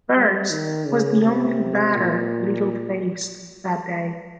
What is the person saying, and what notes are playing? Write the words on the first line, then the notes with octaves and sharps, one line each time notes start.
Wertz was the only batter Liddle faced that day.
G3
D#3
C#3
C3
A#2